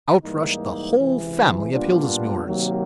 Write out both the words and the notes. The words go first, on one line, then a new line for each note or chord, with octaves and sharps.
Out rushed the whole family of Hildesmullers.
G#2 E3 G3 A#3 D#4
C#2 C3 E3
A#2 G3 B3 D4 F4
C3 D#3 F#3 A#3